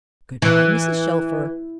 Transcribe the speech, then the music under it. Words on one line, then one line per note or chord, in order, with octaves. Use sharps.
"Good bye, Mrs. Shelfer."
E3